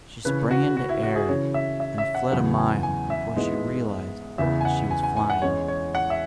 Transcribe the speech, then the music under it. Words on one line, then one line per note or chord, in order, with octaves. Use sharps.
She sprang into air, and fled a mile before she realized that she was flying.
C#3 E3 C#4 B4
F#4
F#4
E4
F#4
G#4
C#3 E3 C#4 C#5
E5
E5
E5
F#5
E2 C#3 F#3 B3 F#5
G#5
G#5
E5
G#2 E3 G#3 B3
E2 C#3 E3 B3 E5
G#5
F#5
G#5
G#5
G#5
F#5
E2 E3 G#3 C#4 C#5
C#5
F#5
E5